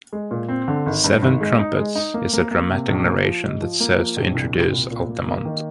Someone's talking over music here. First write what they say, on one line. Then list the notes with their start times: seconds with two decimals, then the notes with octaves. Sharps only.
"Seven Trumpets" is a dramatic narration that serves to introduce "Altamont".
0.13 G#3
0.31 A#2
0.48 C4
0.68 D3
0.86 G#1
1.04 G2
1.22 G#1
1.41 G#3
1.59 D#4
1.77 G#3
1.95 D#4
2.14 A#3
2.33 A#3
2.51 A#3
2.70 C3
2.88 A#1
3.06 A#3
3.25 F3
3.44 G#2
3.62 F3
3.80 A#3
3.98 F3
4.17 A#1
4.35 C2
4.54 A#2
4.71 C2
4.91 A#2
5.09 A#3
5.28 A#3
5.45 D#3